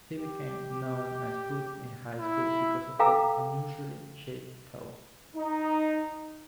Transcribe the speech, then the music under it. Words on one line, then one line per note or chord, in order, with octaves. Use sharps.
He became known as "Foots" in high school because of his unusually shaped toes.
G4
E4
A4 F5 G5 A#5 D6 E6
D#4